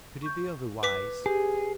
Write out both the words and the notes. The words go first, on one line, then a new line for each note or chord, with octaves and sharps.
Could it be otherwise?
C#6 G6
B4 D6 B6
G4 G#4